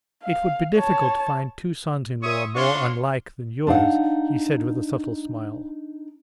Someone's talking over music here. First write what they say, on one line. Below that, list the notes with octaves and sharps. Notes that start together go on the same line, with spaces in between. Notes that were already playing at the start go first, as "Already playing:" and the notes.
"It would be difficult to find two sons-in-law more unlike than yours," he said with a subtle smile.
F5
C#5 A5
C#5 E5 C6 C#6 D#6
D4 F4 F#4 C#5 C6 C#6
D4 D#4 F5 F#5